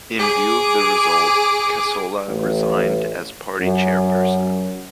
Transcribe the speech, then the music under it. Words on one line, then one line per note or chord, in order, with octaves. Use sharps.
In view of the result, Cassola resigned as Party Chairperson.
G#4 D6
A1
F#2